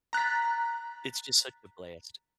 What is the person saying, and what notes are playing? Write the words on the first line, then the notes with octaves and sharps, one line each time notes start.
it's just such a blast.
A#5 F#6 A6 B6